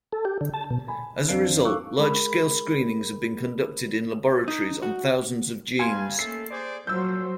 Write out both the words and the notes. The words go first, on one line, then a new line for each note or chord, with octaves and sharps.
As a result, large-scale screenings have been conducted in laboratories on thousands of genes.
A4
G4
D3
A5
B2
G#5 B5
F2 D4 C5 F5 C7 D7
A4 F5 C#6 D6 E6 F#6
G#3 G#4 A#4 B5
D#4
F#4
G2 F5 G#5 C6 G#6
A3 A#3 C#4 A4 C7
G#4 C5 D5
A#2 F3 F#3 C5 E6 G6